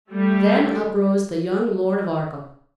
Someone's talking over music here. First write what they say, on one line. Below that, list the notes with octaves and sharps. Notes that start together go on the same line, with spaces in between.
Then uprose the young Lord of Arkell.
G3 A3